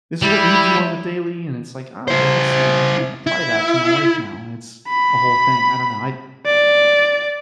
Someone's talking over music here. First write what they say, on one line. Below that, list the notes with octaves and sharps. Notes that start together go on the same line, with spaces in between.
this is what we do on the daily," and it's like, "Oh, that's sweet, I can apply that to my life now," and it's a whole thing. I don't know. I
G3 E4
E4 C5
E4
B5
D5